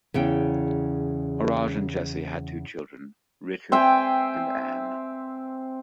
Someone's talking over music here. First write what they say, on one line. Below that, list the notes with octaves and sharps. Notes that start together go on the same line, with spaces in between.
Orage and Jessie had two children, Richard and Ann.
E2 C#3 G5
C4 E5 G5 G#5